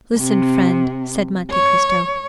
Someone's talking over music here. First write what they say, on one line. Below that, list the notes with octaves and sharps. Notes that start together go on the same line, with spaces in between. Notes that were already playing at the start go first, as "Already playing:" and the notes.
"Listen, friend," said Monte Cristo.
C3
C#5